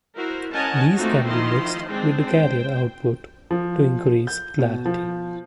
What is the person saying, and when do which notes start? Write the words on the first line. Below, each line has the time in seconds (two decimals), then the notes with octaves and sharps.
These can be mixed with the carrier output to increase clarity.
0.17 E4 F#4 A#4 C5
0.53 C#4 A#4 D#5 F#5 G#5 A5
0.97 A3 A#3 C4 D#4 F4 F#4
1.28 D#3 F3 E4 D#5 C6
1.86 G#3 C4 D4
2.23 C5 G5
3.51 F3
4.27 G6
4.59 B2
4.85 F3